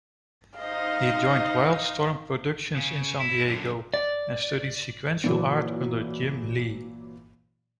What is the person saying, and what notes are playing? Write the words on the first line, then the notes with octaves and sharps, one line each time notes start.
He joined Wildstorm Productions in San Diego and studied sequential art under Jim Lee.
D#4 C5 D#5 F5
C#3
E4
F#2 D3
D5
A#2 E3 F#3